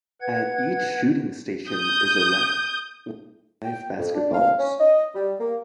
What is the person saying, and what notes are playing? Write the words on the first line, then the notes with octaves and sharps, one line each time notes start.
At each shooting station is a rack with five basketballs.
B4 F#5 G#6
D#6 G6
G5
F2
D4
F5
C#4
D#5
G3
A#3